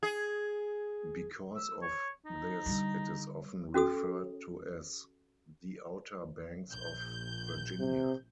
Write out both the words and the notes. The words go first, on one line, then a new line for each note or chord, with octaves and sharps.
Because of this, it is often referred to as "The Outer Banks of Virginia".
G#4
E6
C#5
D#4
D3 G3
C#4 F#4 A4 D#6
A#1 G6
C3